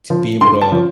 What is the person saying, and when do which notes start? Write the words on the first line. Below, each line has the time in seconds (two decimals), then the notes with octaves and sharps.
to be able to
0.10 F3
0.41 G2 C6
0.62 A5
0.72 F3